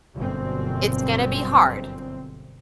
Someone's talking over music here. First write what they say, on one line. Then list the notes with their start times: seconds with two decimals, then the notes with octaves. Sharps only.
It's gonna be hard.
0.15 G1 F#2 B2 C4